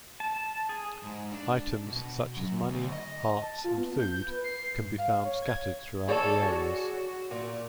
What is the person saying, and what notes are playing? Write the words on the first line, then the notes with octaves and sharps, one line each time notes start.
Items such as money, hearts, and food can be found scattered throughout the areas.
A5
G#4
G#2
D4
B2
F#2
D2
D#5
A5
F4
B3
G6
B4
C7
G2
F5
C#5
G#6
G#4 A4 C#5 D5
F#4
A#2